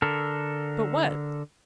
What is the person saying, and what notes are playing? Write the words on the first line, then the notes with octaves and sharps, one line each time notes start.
"But what?"
D3 A4 A#4